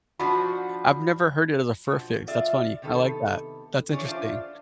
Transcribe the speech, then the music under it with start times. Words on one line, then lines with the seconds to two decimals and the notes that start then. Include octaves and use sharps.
I've never heard it as a fur fix, that's funny, I like that, that's interesting.
0.20 F3 D4 F#4 B5
1.87 B2 F3
2.27 F4 D5 E5 F5
2.82 C3 D#3 B3 A4
3.91 E3 C#4 G#4 C#5 D5
4.05 D4 F4 C5 D5 E5